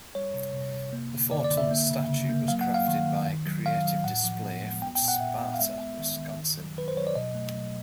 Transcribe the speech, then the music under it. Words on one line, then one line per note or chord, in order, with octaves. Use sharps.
The four-ton statue was crafted by Creative Display from Sparta, Wisconsin.
G3 C#5
C3
C3
C3
A#3
D3
D3 D5
D5
D3
E5
A#3
C#3
C#3
A#3
F#3 F5
F#5
F#3
F5
D#3
D#3
D#3
F#3
D#3 F5
F#3
A2 F#5
F3
B3
G#3
B3 G5
G5
A#2
F#5
A#2 E5
B3
F5
G#3 E5
B3
D#3
D#3
D#3
F#3
D#3 B4
C5
F#3 C#5
D5
B2 D#5
A3
F#3